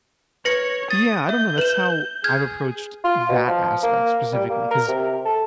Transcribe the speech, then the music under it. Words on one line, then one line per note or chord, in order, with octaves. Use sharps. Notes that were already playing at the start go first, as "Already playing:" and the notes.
yeah, I don't know, that's how I've approached that aspect specifically, 'cause
B4 C#5 A#6 C#7
D#6 A6
E5 G6
B4 E7
G#4 F6 G6 G#6
F4
B2
F3
A#3
G3
A#3
A#4
C3
A4